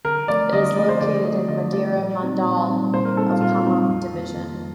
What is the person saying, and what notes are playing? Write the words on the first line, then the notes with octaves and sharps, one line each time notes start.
It is located in Madhira mandal of Khammam division.
D3 A#4
F3 A3 D5
D3 D#5
D#5
F3 A3 D#5
C5
D3 D5
F3 A3 D#5
D3 D#5
F3 A3 D5
A#2
G3 C4 D#4
A#2
G3 C4 D#4
A#2 C5
A#4
G3 C4 D#4 A4
F4
A#2 F4
G3 C4 D#4
F2
D#3 A#3
F2